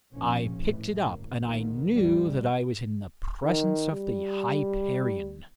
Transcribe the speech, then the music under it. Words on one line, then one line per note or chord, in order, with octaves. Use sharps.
I picked it up, and I knew that I was in the presence of the Hyperion.
F1 A#1 F2 B2 F3 C#4
F2 A2 E3
G1 A#3
A#1 D#2 A2 D#3 A#3 B3
A1 E2 C3 E3 G3
D#3
G3